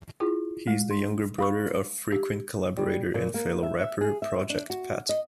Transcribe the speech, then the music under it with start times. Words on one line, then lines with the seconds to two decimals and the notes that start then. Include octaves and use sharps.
He is the younger brother of frequent collaborator and fellow rapper Project Pat.
0.20 E4 F4 G#4
0.67 G#3
0.91 C6
1.38 F5 B5 C#6
2.12 G4
2.77 G3
3.14 A#2
3.34 A#3
3.63 E5
3.81 E5
4.01 G#4
4.22 E5
4.50 D4
4.70 F#4
5.09 D#5